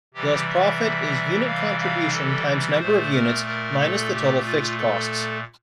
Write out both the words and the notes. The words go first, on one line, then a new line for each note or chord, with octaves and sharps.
Thus Profit is Unit Contribution times Number of Units, minus the Total Fixed Costs.
C3 E3 G3 G4
E5
F5
F5
A4
A#2 A3 C5
A#4
A#4
A4
G4
F4
A4